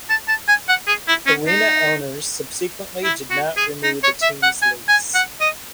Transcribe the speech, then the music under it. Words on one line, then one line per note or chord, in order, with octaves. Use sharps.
Arena owners subsequently did not renew the team's lease.
A5
A5
G#5
F#5
G#4
E4
C#4
D#4
E4
F#4
G#4
D#4
C#5
E5
F#5
G#5
G#5
F#5
D#5